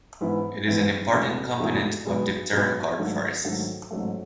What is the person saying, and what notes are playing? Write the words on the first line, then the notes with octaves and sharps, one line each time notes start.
It is an important component of dipterocarp forests.
G#2 E3 B3 E4
G#2 E3 B3 E4
E1 E2 B2 A3 E4
E1 E2 B2 A3 E4
B1 B2 G#3 B3
B1 B2 G#3 B3
G#2 D#3 F#3 A3
G#2 D#3 F#3 A3
A1 G#2 F#3 A3